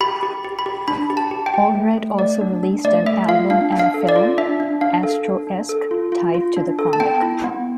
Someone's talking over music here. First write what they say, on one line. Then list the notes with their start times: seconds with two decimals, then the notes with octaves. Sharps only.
Allred also released an album and a film, "Astroesque", tied to the comic.
0.01 G4 B5
0.23 G4
0.44 G4
0.59 B5
0.66 G4
0.88 D4 B5
1.10 G4
1.17 A5
1.31 G4
1.46 G5
1.54 G4
1.75 A3
1.97 A3
2.19 A3 D5
2.41 D4
2.63 D4
2.84 A3 D5
3.06 A3 E5
3.28 F4 F5
3.50 D4 F5
3.72 D4
3.79 F5
3.94 A4
4.09 D5
4.16 F4
4.38 D4 E5
4.60 D4
4.81 D4 F5
5.03 A4
5.25 D4
5.47 D4
5.69 A4
5.91 F4
6.12 F4
6.34 F4
6.57 D4
6.79 A4
6.93 A5
7.00 B3 G5
7.22 E4
7.44 B3